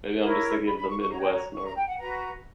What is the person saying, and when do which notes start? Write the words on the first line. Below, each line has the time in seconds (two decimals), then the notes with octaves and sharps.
maybe I'm just thinking of the Midwest North,
0.22 E4 A#4 C#5
0.66 B5
0.76 B5
0.88 C#6
0.99 C#6
1.10 F#4 C#5 A#5
1.20 G5
1.30 A#5
1.54 C#6
1.64 A#5
1.76 G5
1.87 F#5
1.98 F#4 B4 A#5